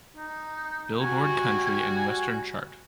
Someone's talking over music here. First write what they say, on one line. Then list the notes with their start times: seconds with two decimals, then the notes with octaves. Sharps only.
Billboard country and western chart.
0.17 D#4
1.00 G3 F#4 G#5